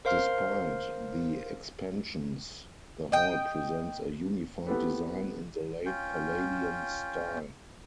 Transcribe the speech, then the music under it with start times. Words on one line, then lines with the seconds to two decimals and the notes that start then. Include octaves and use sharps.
Despite the expansions, the hall presents a unified design in the late Palladian style.
0.05 A#4 C5 F5 C6 F6 C7
3.12 D#5 G5
4.66 B3 C4 E4 G4 A4 B4
5.86 C#4 F4 G5